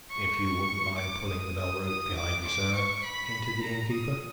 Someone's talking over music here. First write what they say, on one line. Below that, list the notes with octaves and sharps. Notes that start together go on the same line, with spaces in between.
"If you wouldn't mind pulling the bell-rope behind you, sir," hinted the innkeeper.
C#6
D6
D#6
D#6
D#6
D6
D6
C#6
B5
A#5
D#6